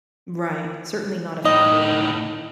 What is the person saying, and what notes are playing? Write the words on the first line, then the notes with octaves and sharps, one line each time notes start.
Right, certainly not a fulfilling one.
A2 D#4 D#5